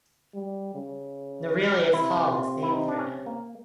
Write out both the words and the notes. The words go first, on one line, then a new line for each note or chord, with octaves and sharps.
Norelius Hall is named for him.
G3
C#3
C3 E4
F4
E4
D#4
D4
C#4
A#3